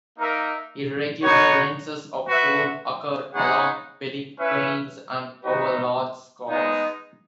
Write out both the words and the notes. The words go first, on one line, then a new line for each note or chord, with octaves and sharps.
Irregular lenses of coal occur along bedding planes and over large scours.
A#3 D#4 A#4 E5
B3 D#4 F#4 C#5
F#4 B4 E5
B3 D#4 G#4 C#5 F#5
C#4 E4 B4 E5
B3 D#4 F#4 B4 D#5
G#3 B3 D#4